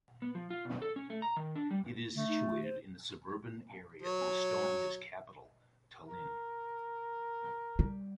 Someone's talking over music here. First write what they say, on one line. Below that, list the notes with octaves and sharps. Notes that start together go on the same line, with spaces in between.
It is situated in the suburban area of Estonia's capital, Tallinn.
B3
F3
F4
B2
A4
C#4
A3
A#5
D#3
D4
G3
D3 A3
D#4
F4
C5
F#3 C#5
A#4
G3